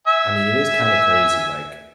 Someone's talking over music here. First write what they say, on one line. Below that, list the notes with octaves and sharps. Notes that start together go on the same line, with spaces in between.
I mean, it is kinda crazy, like,
E5 G#5